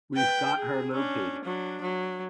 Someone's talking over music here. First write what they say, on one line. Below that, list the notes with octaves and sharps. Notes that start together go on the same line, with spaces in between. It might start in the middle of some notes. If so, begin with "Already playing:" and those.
We've got her located.
B4 G5
G#4
C#4 D4
F#3 D4
F#3